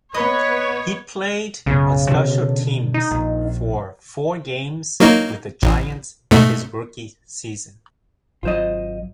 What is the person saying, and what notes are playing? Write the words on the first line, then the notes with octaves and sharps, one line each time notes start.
He played on special teams for four games with the Giants his rookie season.
B3 B4 C#5 D#5
B1 F#2 C#3 B3
B2 D3 D#3
D#4
A#1
F#3 A#3 D#4
A1
G#2 B2 A3
G#1 F#3 F4 C5 D#5